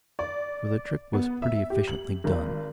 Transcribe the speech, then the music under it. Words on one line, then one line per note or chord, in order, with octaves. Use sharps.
For the trick was pretty efficiently done.
D5
B3
E5
G4
F#7
G#1